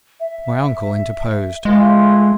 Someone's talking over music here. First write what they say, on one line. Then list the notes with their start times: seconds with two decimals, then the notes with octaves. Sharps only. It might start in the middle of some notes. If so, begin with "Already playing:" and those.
My uncle interposed.
0.20 E5
1.65 E3 G#3 A3 F4